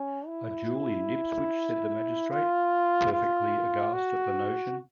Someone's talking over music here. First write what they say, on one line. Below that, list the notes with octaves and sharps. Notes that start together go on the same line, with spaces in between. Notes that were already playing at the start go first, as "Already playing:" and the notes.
A duel in Ipswich!’ said the magistrate, perfectly aghast at the notion.
Already playing: C#4
E4
F4
F4
F#4